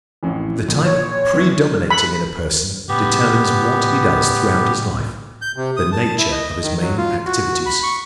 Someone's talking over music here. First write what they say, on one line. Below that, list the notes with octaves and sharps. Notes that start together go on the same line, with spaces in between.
The type PREDOMINATING in a person determines WHAT he does throughout his life--the NATURE of his main activities.
A1 F2 A2
A#1
C#5
F2 B3 E4
B5
A2 C#3 B3 G4
G6
C3
D#6
A5
E4
D#5
D#3
F#3
F4
F#4
B5
C#6